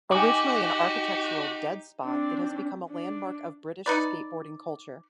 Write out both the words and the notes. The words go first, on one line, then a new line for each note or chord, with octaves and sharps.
Originally an architectural dead-spot, it has become a landmark of British skateboarding culture.
D#4 F#4 G4 G5 G#5 D6
C4 D4
D4
D#4 B4 D5